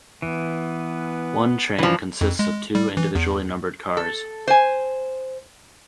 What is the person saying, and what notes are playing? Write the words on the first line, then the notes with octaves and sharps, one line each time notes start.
One train consists of two individually numbered cars.
E3 B3
E3 F3 D4
F2
G#3
G3
E3
E2
A4
C5 G#5